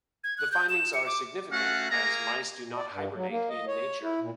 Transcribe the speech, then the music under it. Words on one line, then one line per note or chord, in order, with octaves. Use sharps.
The findings are significant, as mice do not hibernate in nature.
G#6
F#6
G6
E7
C#7
D6
A3 C#4 F#4 F5 F#5
A#3 G#4 G#5 A#5
A#2
D5
G2
F#3
A#3
D#5
C#5
E4
A#2